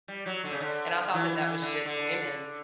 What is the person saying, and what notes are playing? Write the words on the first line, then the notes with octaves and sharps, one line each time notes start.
and I thought that that was just women,
G3
F#3
D3
C#3
D3
E3
E3
D3
D3